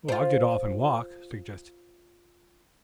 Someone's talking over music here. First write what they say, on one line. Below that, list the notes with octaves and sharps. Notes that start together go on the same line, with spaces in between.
"I'll get off and walk," suggested.
F4 C5